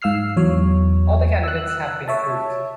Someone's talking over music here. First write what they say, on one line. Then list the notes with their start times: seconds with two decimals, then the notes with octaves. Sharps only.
All the candidates have been approved.
0.02 G#2 F5 E6 F6 C7
0.37 E2 F#3 C#5
1.43 E6 F#6
2.08 C#5 E5 A5